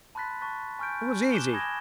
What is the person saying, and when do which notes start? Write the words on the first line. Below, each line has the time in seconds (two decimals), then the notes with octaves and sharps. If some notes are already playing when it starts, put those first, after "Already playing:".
It was easy.
0.15 A5 B5 C6 F#6 A6 B6
0.41 A5 C#6 F#6 A6 B6
0.79 G#5 C#6 F6 G6 D7
1.32 D6 F#6 E7 G7
1.53 G#5 B5 D#6 G#6 A#6